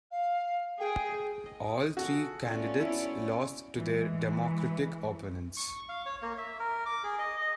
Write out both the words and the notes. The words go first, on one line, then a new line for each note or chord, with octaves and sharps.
All three candidates lost to their Democratic opponents.
F5
G#4 G5
D#5
F#4 G#4 A4
A3 B3 C#4 F4 D5
E4 F#4
E3 G#3
C#6
F5
C#5
A#3
E5
A#4
D6
G#4
D#5
D#5